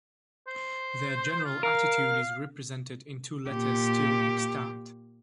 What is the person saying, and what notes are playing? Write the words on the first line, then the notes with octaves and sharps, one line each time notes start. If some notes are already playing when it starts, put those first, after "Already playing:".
Their general attitude is represented in two letters still extant.
C5
F4
A#4 F5
A#2 G4